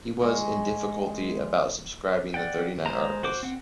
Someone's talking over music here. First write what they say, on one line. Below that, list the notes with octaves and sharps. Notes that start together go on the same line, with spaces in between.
He was in difficulty about subscribing the Thirty-Nine Articles.
G#3 C#6
D5 F#5 G5
G#3 C5 A#5
F#4 C5 D6
C4 F#5